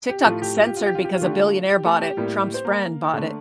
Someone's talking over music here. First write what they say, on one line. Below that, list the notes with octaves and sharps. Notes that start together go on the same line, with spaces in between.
TikTok is censored because a billionaire bought it. Trump's friend bought it,
G4
A2 F3 A3 F4
G4
F4
G4
F4
G4
F4
G4
F4
D3 A3 G4
F4
G4
A3 A4
G4
A2 G3 A#3
C5
A#3 A#4
D3 A3